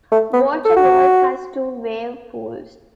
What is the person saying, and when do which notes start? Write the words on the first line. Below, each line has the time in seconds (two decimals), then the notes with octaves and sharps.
Water World has two wave pools.
0.12 A3
0.33 B3
0.65 A4
0.77 F#4